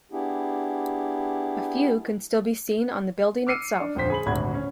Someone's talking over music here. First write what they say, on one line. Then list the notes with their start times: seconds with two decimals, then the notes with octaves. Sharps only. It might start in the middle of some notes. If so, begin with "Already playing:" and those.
A few can still be seen on the building itself.
0.12 B3 D4 E4 G4 G#4
3.47 D6 E6 F6 C7 C#7 D#7
3.80 D4
3.95 D#1 F2 D3 C5 B6
4.10 G#4 B5 F#7
4.26 D#1 G#1 D2 F#4 B5 G#6
4.54 C#4